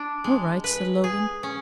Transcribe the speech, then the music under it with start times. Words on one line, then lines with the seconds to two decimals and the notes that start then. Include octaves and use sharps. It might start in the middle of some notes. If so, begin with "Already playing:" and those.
"All right," said Logan.
Already playing: D4
0.24 G#3
0.64 B4
1.04 G#4
1.43 C#4